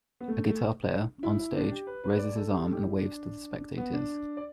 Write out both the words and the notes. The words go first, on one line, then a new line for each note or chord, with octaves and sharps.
A guitar player, on stage, raises his arm and waves to the spectators.
B3
A3
A3
E4
E4
D4
G4
B4
B4
D5
A4
G4
A4
G4
E4
D4
B3
D4
D5